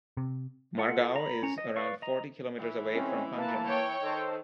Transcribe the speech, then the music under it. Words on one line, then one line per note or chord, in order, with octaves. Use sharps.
Margao is around forty kilometres away from Panjim.
C3
F4 A4 F#5
A#5 B5
C#4 A#5
D#5
B4 D5 F5 C#6
D#5 A#5
E3
G#3 C4 C#4
A#3 B4 A5
C#5 G5
D#3 A4 C5